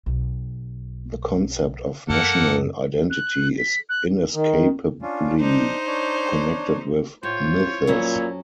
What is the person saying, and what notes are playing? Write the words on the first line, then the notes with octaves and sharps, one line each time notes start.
The concept of national identity is inescapably connected with myths.
B1
F#2 A#3 A4 F#5
F#6
B6
F#6
D#3
C#4 D4 F4
D4 D#4 C5
D4 C#5
A2 F4 C5 C#5
F2 A#2 F#3 C#4 E4